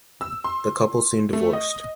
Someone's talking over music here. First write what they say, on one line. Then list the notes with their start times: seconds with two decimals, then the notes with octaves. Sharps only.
The couple soon divorced.
0.21 E6
0.44 C6
1.33 A3
1.53 D#5